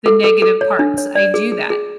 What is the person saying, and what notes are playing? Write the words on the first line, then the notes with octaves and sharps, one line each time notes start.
the negative parts, I do that.
A4
A4
A4
C#5
D4
C#5
D5
G#4
G#4
G#4